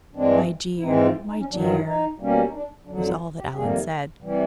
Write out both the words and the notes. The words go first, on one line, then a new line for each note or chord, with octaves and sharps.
"My dear, my dear!" was all that Allan said.
G2 E3 G#3 C4 D4
E4
G#2 E3 G#3 C4 D#4
E4
F4
D#4
C#4
G2 D#3 F#3 D4
D#4
E4
D#4
B2 G3 A#3 C#4
D#4
D4
F2 D3 F#3 D4
D#4
F4
G4
G4
F2 C3 D#3 G3 A#3 G#4
C3 E3 G3